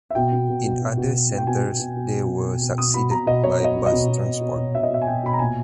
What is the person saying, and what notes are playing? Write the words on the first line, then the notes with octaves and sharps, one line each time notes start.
In other centres they were succeeded by bus transport.
E5
B2 G5
B2
B2
B2
B2
B2
B2
B2
G5
B2 G#5
B2
B2
B2
B2
B2
B2
B2
B2 D#6
B2 B5
B2 A#5
B2 D#5
B2 C#5
B2 D#5
B2
D#5
B2
B2
B2
B2
B2
B2 E5
D#5
B2 E5
G#5
B2 G5
B2 B5
A#5
A#2 G#5